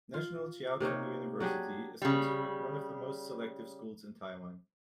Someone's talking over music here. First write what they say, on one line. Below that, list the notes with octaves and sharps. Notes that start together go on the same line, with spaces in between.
National Chiao Tung University is considered one of the most selective schools in Taiwan.
F4
C3 A#3 D#4 C#5
F#3 D4 G4 G#4
C#3 G3